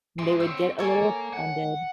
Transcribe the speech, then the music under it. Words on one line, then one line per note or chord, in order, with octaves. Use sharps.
And they would get a little offended.
E3 G#3 C6
C4 C#5 E6
A#3 A4 C#5 G#5
F#5